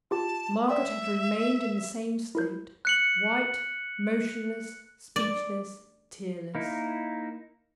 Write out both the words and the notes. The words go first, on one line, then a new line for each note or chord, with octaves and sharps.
Margaret had remained in the same state; white, motionless, speechless, tearless.
F4 G4 A5
D5 E5 G5 C6
E4 A#4 G6
F#6 C#7 F#7
D5
A#3 D#4 E4